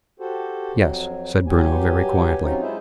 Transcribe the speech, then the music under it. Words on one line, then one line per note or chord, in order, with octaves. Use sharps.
"Yes," said Bruno, very quietly.
F#4 G4 A4 C5
F2 F#3
G2 F#3 G4 G#5
F#3 C4 C#4 D#4 F4
G#3 E4 G#4 C5 E5